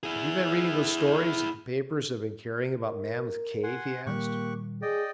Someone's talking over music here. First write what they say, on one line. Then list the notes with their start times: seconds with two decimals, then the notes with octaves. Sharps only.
"Have you been reading those stories that the papers have been carrying about Mammoth Cave?" he asked.
0.03 E4 G#4
2.80 A#4
3.63 F#5 G#5 C6
4.06 A#2 D#3 G3 A#3 G4 C#6 F#6
4.82 G#4 D5 D#5 G5